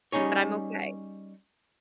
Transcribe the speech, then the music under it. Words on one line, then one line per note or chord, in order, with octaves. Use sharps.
but I'm okay."
G3 C#4 D#4 G#4 C#5